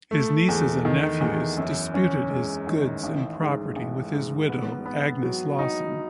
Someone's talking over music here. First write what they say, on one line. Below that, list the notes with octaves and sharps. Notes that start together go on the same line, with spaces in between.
His nieces and nephews disputed his goods and property with his widow Agnes Lawson.
A3
E2
D#3
E2
F#2
C#4
G#3
D#3
A1
G#2
A1
G#2
B3
B3
F#3
D#4